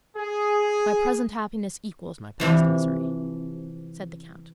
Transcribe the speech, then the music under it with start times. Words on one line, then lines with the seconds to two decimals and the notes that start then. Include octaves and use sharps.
"My present happiness equals my past misery," said the count.
0.17 G#4
2.40 C3 E3 F3